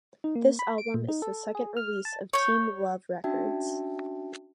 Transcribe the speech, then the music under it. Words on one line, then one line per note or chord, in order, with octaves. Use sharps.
This album is the second release of Team Love Records.
D#4
A#3
B5
D7
A#2
D#4
A4
G#4
F6
A5
C#5 G6
C#4 D4 F#4 E5 G5 A5